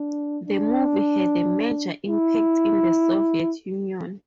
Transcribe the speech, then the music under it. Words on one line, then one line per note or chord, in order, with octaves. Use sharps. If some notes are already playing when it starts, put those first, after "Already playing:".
The movie had a major impact in the Soviet Union.
Already playing: D4
D4
E4